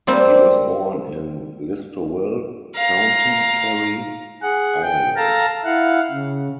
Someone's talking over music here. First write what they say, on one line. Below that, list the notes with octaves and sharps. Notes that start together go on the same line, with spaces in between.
He was born in Listowel, County Kerry, Ireland.
G3 A#3 C4
F5 A#5
G#4 F#5
G5
A4 F5 A5 A#5
E4 F5 F#5
C#3